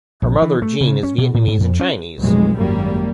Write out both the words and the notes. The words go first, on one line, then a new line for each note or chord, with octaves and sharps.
Her mother, Jean, is Vietnamese and Chinese.
A#1
E3
A3
C#3
C#4
B2
A2
G#2
F2
C#4
F1 B1 G#3
G#1 F#2 G3 A#3